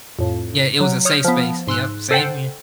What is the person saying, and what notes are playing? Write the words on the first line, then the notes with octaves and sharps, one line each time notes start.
Yeah, it was a safe space yep, same here.
F2 A2
F#3
C#5 D#6 F6 G6
F3 B3
G#2 C6 E6 F#6
A4 C5 F#5 G5